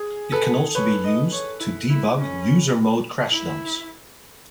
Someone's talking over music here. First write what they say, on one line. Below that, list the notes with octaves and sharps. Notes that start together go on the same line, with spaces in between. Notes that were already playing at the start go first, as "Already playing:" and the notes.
It can also be used to debug user-mode crash dumps.
Already playing: G#4
A4 B4
B4 C#5
D#5
C#5
E4
E4
C#4
E4